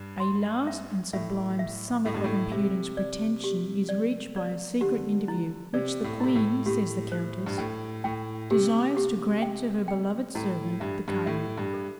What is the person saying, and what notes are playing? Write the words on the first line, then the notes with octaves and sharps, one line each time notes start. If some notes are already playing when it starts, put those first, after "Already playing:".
A last and sublime summit of impudent pretension is reached by a secret interview which the Queen, says the countess, desires to grant to her beloved servant the cardinal.
Already playing: G2
C6
E5
A2 E5
E5
A2 A4
G2
A2
C3 E5
D5
G4
D5
D5
D3 G4
E4
C3 D5
A2
C3 E4
A2
A2 G4
C5
G2
A2 G5
A2 G5
C3 G4
G4
G5
G5
A2 E4
G2 E5
G2
A2 E5
G2
A4